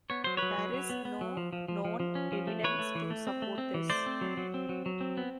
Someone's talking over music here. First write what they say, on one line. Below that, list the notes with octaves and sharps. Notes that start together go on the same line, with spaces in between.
There is no known evidence to support this.
B3 C#5
F#3 C5
F#3 B4 C#5
F#3
F#3
B3
B3
F#3
F3
F3
F3
F3
F3
C#4
F3
A3
E3 B4 C#5
A3
E3
A3
C4
A3
C4
E3
A3 C5 D5
C4
F#3
F#3
C4
F#3
F#3
C4
B3